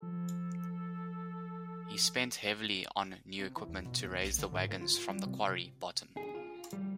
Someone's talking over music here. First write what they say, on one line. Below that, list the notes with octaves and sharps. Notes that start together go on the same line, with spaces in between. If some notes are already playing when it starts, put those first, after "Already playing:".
He spent heavily on new equipment to raise the wagons from the quarry bottom.
F3 A4
C3
E3
E2
B2
D#2
B1
D3
G#2
A#2
F4
G3
C3
G#4
F4
G3